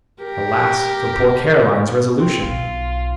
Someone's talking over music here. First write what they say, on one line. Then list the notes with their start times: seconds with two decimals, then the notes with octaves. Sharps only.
Alas for poor Caroline's resolution!
0.22 G4 A#4
2.20 C4
2.42 B1 F4